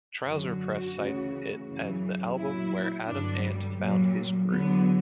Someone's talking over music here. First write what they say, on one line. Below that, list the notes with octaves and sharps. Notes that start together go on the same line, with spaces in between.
"Trouser Press" cites it as the album where Adam Ant "found his groove".
F#2 D3 F#3 F#4
D2 C#3 E3
F#2 C#3 E3
A#2 F#3 E4
G2 D3 F#3 D4
G3
A#2 F#3 G3
E2 D3 F#3 B3